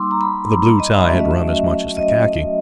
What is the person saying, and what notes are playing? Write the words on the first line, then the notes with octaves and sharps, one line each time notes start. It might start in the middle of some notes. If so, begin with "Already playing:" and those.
The blue tie had run as much as the khaki.
Already playing: G3 A#3 D#4 C6 D6 E6
A#5
B5
D#5
F#3 A3 C#4 F#4 E5
D#5
E5
D#5